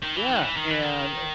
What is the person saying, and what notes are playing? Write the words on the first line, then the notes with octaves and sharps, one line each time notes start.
Yeah, and
D#3
E3
D#3
E3
D#3
E3
D#3